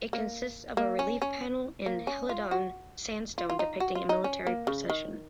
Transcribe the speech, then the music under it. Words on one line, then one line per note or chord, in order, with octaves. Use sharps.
It consists of a relief panel in Helidon sandstone depicting a military procession.
A#3
A#3
C#4
C#4
A#3
C#4
F4
F#4
F4
F4
D#4
F#4
F4
D#4
C#4
A#3
C#3
D#3